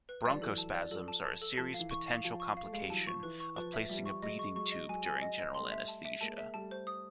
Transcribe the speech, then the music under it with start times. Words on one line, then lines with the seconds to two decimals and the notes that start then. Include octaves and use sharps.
Bronchospasms are a serious potential complication of placing a breathing tube during general anesthesia.
0.09 B4
0.25 F3 G3 D5
0.42 E3 F#3 A4
0.58 A5
0.74 D5
0.91 F3 A4
1.08 A5
1.24 A5
1.42 A4
1.57 F3 A5
1.69 F3 F5
1.79 E3
1.91 C#6
2.08 F5
2.24 F3 F5
2.40 C#6
2.57 F5
2.63 A3
2.73 G#3 F5
2.80 G3
2.90 E3 F#3 A5
3.06 F3 C#6
3.23 E3 B4
3.40 C#6
3.57 F3 B4
3.73 E5
3.89 F3 G3 E5
4.05 C#6
4.22 F#3 G#3 D#5
4.39 C#6
4.55 F#3 G#3 C#6
4.72 D#5
4.88 F#3 G#3 G#5
5.06 G#5
5.22 D#5
5.38 D#5
5.54 G3 A3 C6
5.72 E5
5.88 A5
6.05 E5
6.21 G#3 A#3 A5
6.38 E5
6.54 G3 A3 A5
6.71 C5
6.87 D#6